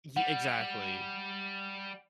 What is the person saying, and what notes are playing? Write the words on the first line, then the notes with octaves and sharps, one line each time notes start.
ye exactly.
G3 F#5